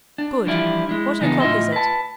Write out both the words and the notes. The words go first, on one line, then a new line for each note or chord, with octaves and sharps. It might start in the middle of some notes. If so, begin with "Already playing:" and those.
"Good; what o'clock is it?"
D4
E3 F3 G3 D4 E4 F4
G#3 E4
C#3 E3 F#3 B3 D4 D#4
A2 F4 C5 D#5 E5 C6
B4 A5